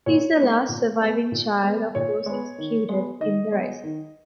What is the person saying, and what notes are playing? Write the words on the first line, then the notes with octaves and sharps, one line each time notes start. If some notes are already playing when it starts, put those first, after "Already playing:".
He is the last surviving child of those executed in the Rising.
A#2 C#5
G#3 B3
A#2
G#3 B3
A#2
G#3 B3
A#2 C#5
G#3 B3
D#3
G#3 B3
D#3 D#5
G#3 B3
D#3